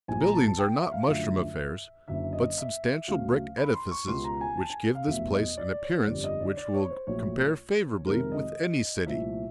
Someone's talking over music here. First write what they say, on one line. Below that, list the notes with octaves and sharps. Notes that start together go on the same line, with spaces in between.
The buildings are not mushroom affairs, but substantial brick edifices which give this place an appearance which will compare favorably with any city.
A#1 A#2 G3 G#5
A#5
A5
A5
G5
E5
F5
F#2 D3 F3 A3 E5
F#1 F#2 D3 E5
D#5
E5
D2 C#3 F#3 A3 F5
B5
C6
C6
C#6
C#2 B2 G3 C6
A#5
G#5
A5
G#5
F5
F1 E2 B2 F#3 A3 E5
E5
D#5
D5
C#5
G1 F2 D3 G3 D5
D#5
D5
D5
C#5
C5
A#1 A#2 F#3 A3 C#5
F2 C3 D#3 G#3 A#4
D#5
C2 A#2 F3 A3 E5